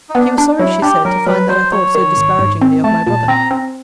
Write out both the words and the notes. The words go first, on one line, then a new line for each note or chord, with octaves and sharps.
She was sorry, she said, to find that I thought so disparagingly of my brother.
D#4
B3 D4
D4
F#3 E4
D4 G4
F#3 A#4
F#3 B4
F#3 C5
F#3 C#5
D#3
G#1
G#2
C4
A3 A5
A#2 A5
C4 A#5
C4